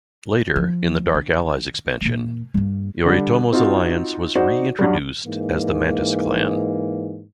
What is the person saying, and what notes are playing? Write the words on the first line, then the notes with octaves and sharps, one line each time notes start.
Later, in the "Dark Allies" expansion, Yoritomo's Alliance was re-introduced as the "Mantis Clan".
F3
D3
E2 A#2
G2 A#3
D3 G3
C4 D#4 F4 F#4
D#4 F#4 C5 D5
G2 F#3 G3
G#2 E3 A#3